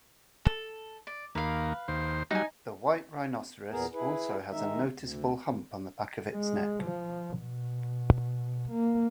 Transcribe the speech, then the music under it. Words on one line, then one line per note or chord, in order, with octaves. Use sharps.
The white rhinoceros also has a noticeable hump on the back of its neck.
A4
D5
D#2 A#3 B4 F5
D#2 C5
F#3 G3 D#4 G#5
E2 A#2 B3 G#4 A#4
E4 G#4 B4
D#3 G#3 D#4 E5
D2
G#3
F3
B2
A#3